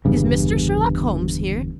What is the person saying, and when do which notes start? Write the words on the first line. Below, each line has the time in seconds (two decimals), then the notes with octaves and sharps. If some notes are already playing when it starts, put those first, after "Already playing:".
"Is Mr. Sherlock Holmes here?"
0.05 G1 E2 G2 C#3